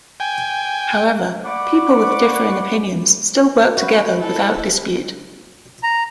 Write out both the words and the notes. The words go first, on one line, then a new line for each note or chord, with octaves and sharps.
However, people with differing opinions still work together without dispute.
G5 G#5
D5 F#5 B5 C#6 D6
F#4 B4
E4 A4
A#5